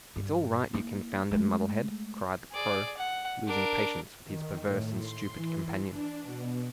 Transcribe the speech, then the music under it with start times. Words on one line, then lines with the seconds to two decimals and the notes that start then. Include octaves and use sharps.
"It's all right, you confounded muddlehead!" cried the Crow, losing patience with his perverse and stupid companion.
0.16 G2
0.73 A#3 E4
1.31 G#3 A3
2.52 G#4 D5
2.98 F#5
3.47 D4 A#4
4.26 D#3
4.64 A2
5.00 C6
5.35 E3
5.90 D4
6.23 B2